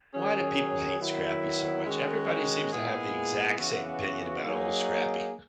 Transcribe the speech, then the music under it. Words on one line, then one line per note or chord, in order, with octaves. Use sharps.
Why do people hate Scrappy so much, everybody seems to have the exact same opinion about old Scrappy.
D#3 F#3 C#4 G#4
D#3 F#3 B3 E4
D#3 G#3 C#4 F#4
A#2 G#3 B3 E4 G#4
C#3 E3 B3 F#4
F#3 A#3 D#4 G#4